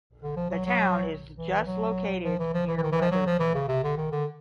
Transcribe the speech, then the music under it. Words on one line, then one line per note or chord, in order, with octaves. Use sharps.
The town is just located near Weatherford.
D3
F3
F#3
F#3
E3
F#3
F3
E3
F3
E3
E3
D#3
E3
F3
F#3
F3
E3
C#3
C3
D3
D#3
D3